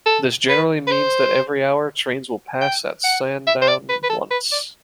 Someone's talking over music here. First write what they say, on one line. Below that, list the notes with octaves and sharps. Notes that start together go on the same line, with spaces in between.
This generally means that every hour, trains will pass at Sandown once.
A4
B4
B4
C5
G5
F#5
E5
C5
D5
B4
B4
A4
B4
D5